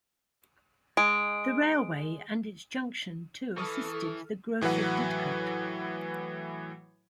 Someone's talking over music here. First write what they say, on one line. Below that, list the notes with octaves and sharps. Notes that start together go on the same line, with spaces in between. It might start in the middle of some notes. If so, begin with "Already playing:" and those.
The railway and its junction to assisted the growth of Didcot.
G#3 D7
E3 A4 C#6 D#6 F6
A2 E3 F#3 B4 F#5